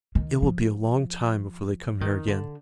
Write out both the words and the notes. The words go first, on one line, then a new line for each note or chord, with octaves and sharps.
It will be a long time before they come here again.
D#3
F3
D#3
D3